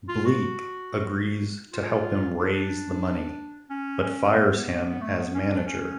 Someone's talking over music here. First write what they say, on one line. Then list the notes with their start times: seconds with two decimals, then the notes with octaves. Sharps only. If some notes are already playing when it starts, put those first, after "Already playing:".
Bleek agrees to help him raise the money, but fires him as manager.
0.08 F4
0.25 F#4
1.73 F4
2.39 D4
3.70 C#4
4.02 C#4
4.36 B3
4.90 B3
5.01 A3
5.18 B3
5.34 C#4
5.50 D4
5.67 C#4